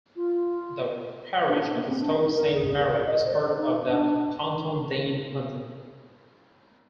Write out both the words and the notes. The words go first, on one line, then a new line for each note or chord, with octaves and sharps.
The parish of Stoke Saint Mary was part of the Taunton Deane Hundred.
F4
D4
D4
A#3
C4
D4
A#4
G#4
G#4
A#4
D5
D#5
C5
D5
D#4
D4